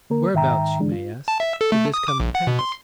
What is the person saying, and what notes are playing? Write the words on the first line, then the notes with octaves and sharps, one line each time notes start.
Whereabouts, you may ask, did this come to pass?
D3 A#3 A#4
G#2 D#3 E5 G5 A#5
D3 E3 G#3 D4
F4
A5
E5
A4
A3
D#6
D6
A#1
F#5
B2
C6